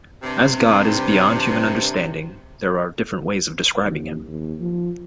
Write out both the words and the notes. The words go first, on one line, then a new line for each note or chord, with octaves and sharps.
As God is beyond human understanding, there are different ways of describing him.
G2 C3
D#2
D#2
F3